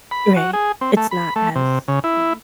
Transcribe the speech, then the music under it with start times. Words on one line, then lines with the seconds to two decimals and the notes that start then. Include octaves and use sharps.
Right. It's not as, you know,
0.11 B5
0.36 F#4
0.53 G#4
0.81 C4
0.97 A3
1.11 B5
1.36 A3
1.56 C3
1.88 C#3
2.04 E4